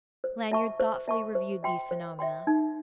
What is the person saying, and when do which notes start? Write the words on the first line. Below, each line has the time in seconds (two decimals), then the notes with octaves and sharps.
Lanyard thoughtfully reviewed these phenomena.
0.24 C5
0.52 E5 A5 C#6
0.80 C5
1.08 E5 A5 C#6
1.35 C5
1.63 E5 G5 C6
1.91 C5
2.19 E5 G5 C6
2.47 D#4